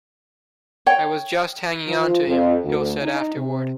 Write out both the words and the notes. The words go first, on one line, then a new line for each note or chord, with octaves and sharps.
"I was just hanging on to him," Hill said afterward.
C#5 G5
F3
F2
D2
D#4
C3